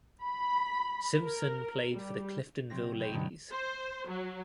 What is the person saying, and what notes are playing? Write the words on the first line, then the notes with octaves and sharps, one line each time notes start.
Simpson played for the Cliftonville Ladies.
B5
A#4
G3
C3 F#3 C4 A#6
B2 F#3 C4 G6
G2 B2 D3 B3 D#4
C5
F#3